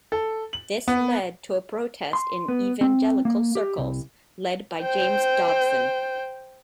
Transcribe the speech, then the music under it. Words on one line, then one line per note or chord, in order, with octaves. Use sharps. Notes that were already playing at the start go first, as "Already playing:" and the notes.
This led to a protest in evangelical circles, led by James Dobson.
A4
F#7
B3
C6
B3
C4
A#3
G4
C2
C5 G5